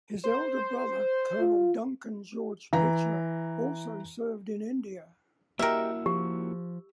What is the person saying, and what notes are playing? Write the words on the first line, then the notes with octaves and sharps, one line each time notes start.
His elder brother Colonel Duncan George Pitcher also served in India.
C5
F4
E3 A#5
A#3 E4 F#4 G4 A#4 D#5 E5 G5
F3 G4